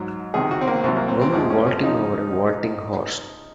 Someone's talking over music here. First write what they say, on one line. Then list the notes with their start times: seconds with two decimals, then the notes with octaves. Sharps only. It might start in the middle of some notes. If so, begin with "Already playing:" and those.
Woman vaulting over a vaulting horse.
Already playing: G#2 F#3
0.34 C#2 C3 D#3 G#4
0.51 F#4
0.61 C4
0.67 A#3
0.84 C2 C3 F#3 C4
0.97 A#3
1.08 C4
1.21 C4
1.33 F2 C3 F3 G#3 C4
1.50 C#4
1.67 C#4
1.83 C#3 F3 D#4